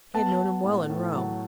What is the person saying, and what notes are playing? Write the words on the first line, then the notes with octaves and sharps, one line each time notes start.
He had known him well in Rome.
B3 A5
B3
A2
A2
F#3